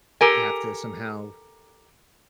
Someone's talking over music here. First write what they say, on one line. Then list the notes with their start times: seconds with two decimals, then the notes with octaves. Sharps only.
have to somehow
0.21 G4 A4 A#4 G#5